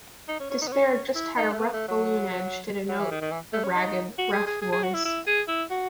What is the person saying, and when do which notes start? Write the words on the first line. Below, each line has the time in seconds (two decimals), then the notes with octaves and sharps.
Despair just had a rough balloon edge to denote a ragged, rough voice.
0.29 D#4
0.40 C#4
0.50 C#4
0.62 D#4
0.68 B3
0.72 C#4
1.16 E4
1.37 D#4
1.52 A3
1.59 B3
1.73 A3
1.88 F#3
2.89 F#3
2.99 E3
3.11 D#3
3.22 D#3
3.32 E3
3.53 A3
3.64 C#4
3.76 D#4
4.19 F#4
4.33 G#4
4.47 G#4
4.62 G#4
4.73 G#4
4.83 F#4
4.94 E4
5.05 E4
5.27 G#4
5.48 E4
5.71 F#4